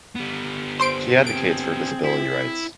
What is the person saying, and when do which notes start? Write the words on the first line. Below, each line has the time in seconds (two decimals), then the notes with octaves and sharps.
She advocates for disability rights.
0.16 G3 B3
0.80 C5 C6 D7
1.27 C4 G#4 D7
2.04 E4